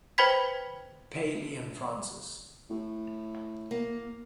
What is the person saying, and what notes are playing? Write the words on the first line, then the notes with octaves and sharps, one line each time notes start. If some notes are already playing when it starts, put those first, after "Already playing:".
Paley and Francis.
B4 C5 G5 B5 G#6 B6
A2
A#3